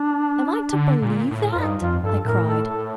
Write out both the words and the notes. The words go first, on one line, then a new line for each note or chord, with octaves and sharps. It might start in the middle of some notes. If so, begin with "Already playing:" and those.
"Am I to believe that?" I cried.
Already playing: D4
D3
A#2
A2
F4
F2
G2 D#4
F2 F4
G2 A4
A2 A#4
A4
A4